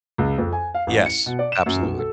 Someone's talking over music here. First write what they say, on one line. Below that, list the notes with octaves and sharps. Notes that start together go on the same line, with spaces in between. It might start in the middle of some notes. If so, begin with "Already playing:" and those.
Yes, absolutely.
C#2
F2
G#5
F5
A1
C#7
B2
D5
E7
F#2
B1
A4